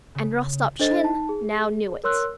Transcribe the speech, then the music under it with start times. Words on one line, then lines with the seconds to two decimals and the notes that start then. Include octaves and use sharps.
And Rostopchin now knew it.
0.15 C#3
0.80 D4 A4 C5 D#5 A6
1.01 D#4 A5
1.29 G#4
2.04 A#4 C#5 C6 E6 F#6